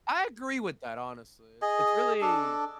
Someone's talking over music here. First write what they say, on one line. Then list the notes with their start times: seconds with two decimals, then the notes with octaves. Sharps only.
I agree with that, honestly, it's it's really
1.62 G#4 D#5
2.22 D4 A4